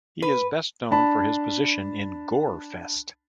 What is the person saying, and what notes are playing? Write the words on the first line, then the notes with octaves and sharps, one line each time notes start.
He is best known for his position in Gorefest.
B4
D4 A5 B5